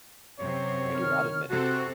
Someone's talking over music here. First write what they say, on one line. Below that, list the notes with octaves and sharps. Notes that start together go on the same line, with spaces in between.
I do not admit it.
F#2 C3 C4 C#5
D#3 F6
C3 C4 F#4 A4